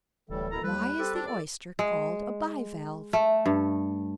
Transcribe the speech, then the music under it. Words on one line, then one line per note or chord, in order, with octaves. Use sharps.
Why is the Oyster called a bi-valve?
D1 A2 E3 G3 A4
B2 E4 A#4 A#5
D#2 G3 B4
C4 G4 A4
D4
F4 A4 D5
G#3
A3
G2